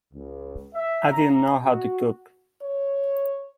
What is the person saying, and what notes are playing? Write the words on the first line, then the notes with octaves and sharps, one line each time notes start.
I didn't know how to cook.
C#2
E5
A#5
F#4
C#5